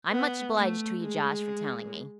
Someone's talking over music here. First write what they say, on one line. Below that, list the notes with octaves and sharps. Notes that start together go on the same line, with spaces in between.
I'm much obliged to you, Josh, for telling me.
B3
A3
G#3